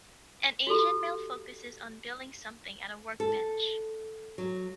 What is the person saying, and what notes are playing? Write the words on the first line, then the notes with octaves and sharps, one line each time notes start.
An Asian male focuses on building something at a workbench.
F#4 G4 A4 C6
A4
F#3